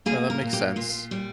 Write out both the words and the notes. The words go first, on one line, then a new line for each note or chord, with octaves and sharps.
No, that makes sense.
A#3 G#4
A#4
A#2
G4
A#2 F4
G3